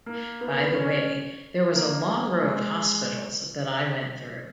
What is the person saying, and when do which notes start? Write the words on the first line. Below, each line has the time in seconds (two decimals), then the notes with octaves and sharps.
By the way, there was a long row of hospitals that I went through.
0.06 A#3
0.41 B3
0.58 B3
0.75 C#4
1.75 A#3
2.42 G#3